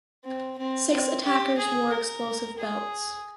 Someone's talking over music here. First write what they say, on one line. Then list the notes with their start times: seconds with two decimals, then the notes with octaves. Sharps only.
Six attackers wore explosive belts.
0.24 C4
0.57 C4
0.92 C4
1.24 G4
1.58 G#4
1.90 A#4
2.58 G#4